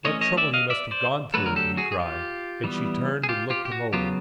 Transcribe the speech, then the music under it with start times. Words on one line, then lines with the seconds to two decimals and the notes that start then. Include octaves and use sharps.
"What trouble you must have gone through!" he cried, and she turned and looked him over.
0.05 E3 A3 C#4 C#5 D#5
0.21 C#5 D#5
0.37 D5 E5
0.53 D#5 F5
0.70 D5 E5
0.91 C5 D5
1.34 D3 F#3 A3 A4 B4
1.46 A#4
1.56 G4 A4
1.77 F#4 G#4
1.92 G#4
1.99 F4 G4
2.64 E3 G3 B3
3.23 G#4
3.29 F4 G4
3.50 F4 G4
3.65 G4
3.72 F#4
3.93 C#3 F#3 B3 F4 G4